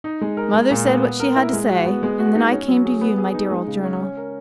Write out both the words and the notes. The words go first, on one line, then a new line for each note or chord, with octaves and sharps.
Mother said what she had to say, and then I came to you, my dear old Journal.
D#4
G#3
A#4
G#3
A#2
B3
B3
A#4
E4
G#3
F#4
B3
G#3
F#4
D#4
C#4
F#3
G#4
B3
G#4
D#4
G#3
C#3
C#4
C#4
A#4